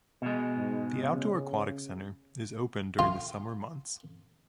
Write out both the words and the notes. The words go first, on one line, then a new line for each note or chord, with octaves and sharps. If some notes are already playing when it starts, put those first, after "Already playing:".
The outdoor Aquatic Center is open during the summer months.
B2 G#3
G#2
C#3
F4